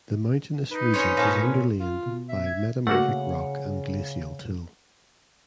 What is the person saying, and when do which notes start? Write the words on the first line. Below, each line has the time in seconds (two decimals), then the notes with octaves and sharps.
The mountainous region is underlain by metamorphic rock and glacial till.
0.71 D#4 B4
0.94 C#4 C5 C#5
1.17 A#2 F3 C#4
1.80 F4
2.06 B2
2.29 E5
2.45 G#6
2.87 C#3 A3 A#3 F#4 F#5